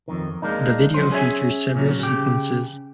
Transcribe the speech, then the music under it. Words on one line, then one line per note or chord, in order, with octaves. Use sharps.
The video features several sequences.
F2 G#2 D#3
G#3 A#3 D4 D#4
F3 F#3 C#4 C5
C#4 G#4 C#5 D#5 E5 G#5
A#2 C#3 F#3
C#3 G4